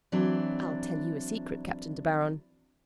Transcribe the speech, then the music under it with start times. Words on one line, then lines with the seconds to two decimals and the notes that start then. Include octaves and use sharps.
I'll tell you a secret, Captain De Baron.
0.12 E3 F#3 C4 D4